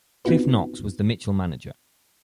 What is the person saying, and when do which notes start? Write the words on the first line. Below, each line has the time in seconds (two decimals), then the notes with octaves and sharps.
Cliff Knox was the Mitchell manager.
0.25 B3 C4 D#4 F4 F#4 B4